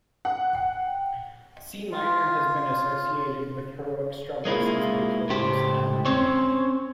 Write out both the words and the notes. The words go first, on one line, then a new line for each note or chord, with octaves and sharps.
C minor has been associated with heroic struggle since Beethoven's time.
F#5
G5
F4
G#3 A#3 E4 F4
C#2 A2 G4 C5
C4 C#4 C5 C#5